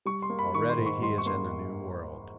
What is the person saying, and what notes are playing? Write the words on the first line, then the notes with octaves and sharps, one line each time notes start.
Already he is in a new world.
G3 C#6
C6
A#3
B5
D#3 C#6
C6
G#2
C#6
G3 C6
C#6
A#3 C6